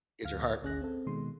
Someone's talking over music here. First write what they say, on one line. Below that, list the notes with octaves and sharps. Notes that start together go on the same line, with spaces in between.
Get your heart
D2 F5 F6
G#1 D2 C#4 G#4 F#6 A#6
C4 A4
B2 D#3 G#3 C6